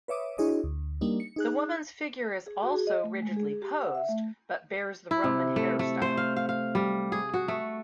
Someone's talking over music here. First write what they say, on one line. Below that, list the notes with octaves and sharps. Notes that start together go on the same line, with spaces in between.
The woman's figure is also rigidly posed but bears the Roman hairstyle.
B4 C#5 E5 D6 D#6
D4 E4 F#4 G#4 C#5 D#5
D2
G3 A#3 D4 D#4
C#7
D#4 G#4 F#6
G#4
F#4
G#4
D#5
A3
G#3
G#4
G4
F#5
E5
A3
E4
C3
A3
A3
C5
F5
F5
F5
G3
G#4
F#4
A3